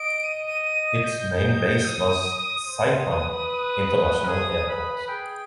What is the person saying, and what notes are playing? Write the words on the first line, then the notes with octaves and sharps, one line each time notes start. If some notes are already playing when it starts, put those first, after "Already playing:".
Its main base was Saipan International Airport.
Already playing: D#5 D7
D#7
D#7
D#7
G6
D#6
C5 D#6
B4
G#4 D#6
B4 B5
G#4 G5